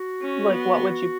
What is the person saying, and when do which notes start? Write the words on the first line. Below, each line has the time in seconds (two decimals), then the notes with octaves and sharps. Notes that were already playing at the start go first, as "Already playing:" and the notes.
Like, what would you
Already playing: F#4
0.22 C#4
0.50 B3